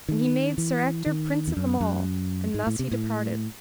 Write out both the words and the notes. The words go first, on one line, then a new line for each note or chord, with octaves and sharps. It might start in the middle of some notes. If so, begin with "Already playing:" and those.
And he made Sir Ector prince of them all, and thus he departed.
D#3
E3
D#3
E2
F#2
F#2
G#2
A2
C3
A2